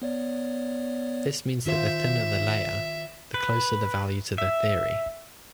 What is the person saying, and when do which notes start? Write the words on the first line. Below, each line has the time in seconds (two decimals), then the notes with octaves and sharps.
This means that the thinner the layer, the closer the value to the theory.
0.02 B3 C#5 D5
1.66 D#3 F4 C5 E5
3.34 B4
4.38 E5